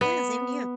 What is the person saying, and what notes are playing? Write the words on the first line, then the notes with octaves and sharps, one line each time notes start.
Yeah, same to you.
B3